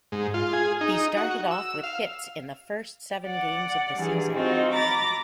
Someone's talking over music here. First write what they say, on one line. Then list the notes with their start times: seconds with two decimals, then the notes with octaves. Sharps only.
He started off with hits in the first seven games of the season.
0.12 G#2
0.34 F4
0.53 G#4
0.81 D#4
1.17 F#4
1.51 E6
1.83 F5
3.26 D5 F#5
3.97 G2 E3 G#4
4.32 C4 D#4 F4 F#4
4.71 A#5 B5 D6 A6